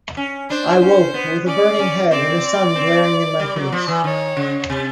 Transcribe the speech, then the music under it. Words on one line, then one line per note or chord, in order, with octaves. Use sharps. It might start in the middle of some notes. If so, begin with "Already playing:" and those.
I woke with a burning head and the sun glaring in my face.
C#4
D4 C5
C#4
B3
C#4 D5
C#4
C4 D5
C4
G3
F#3
F3
E3
D#3 C#5
C#3
C3